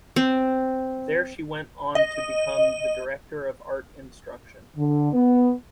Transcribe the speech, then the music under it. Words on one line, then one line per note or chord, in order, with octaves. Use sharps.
There she went on to become the director of art instruction.
C4
D#5
D3
B3